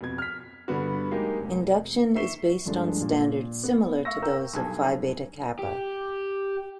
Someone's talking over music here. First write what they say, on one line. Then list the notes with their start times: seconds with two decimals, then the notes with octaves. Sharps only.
Induction is based on standards similar to those of Phi Beta Kappa.
0.01 F2 B2 G#6
0.18 F6 B6
0.68 G2 D3 B3 F#4
1.11 F#3 G#3 A#3 D#4 G4
1.39 F1
2.16 E5 C#6 C7 E7 G7
2.66 G2 F3 G#3 A3 D4
3.01 A#2
3.63 B3
4.05 E5 F5 C#6 E6 A#6
4.22 A#4 G5 A#5 E6 G6
4.54 B1 G2 A4 G#5
5.59 G4